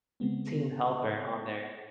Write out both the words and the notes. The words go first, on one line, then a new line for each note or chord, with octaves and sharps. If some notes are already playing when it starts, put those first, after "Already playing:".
team helper on there.
C#3 G#3 B3 C4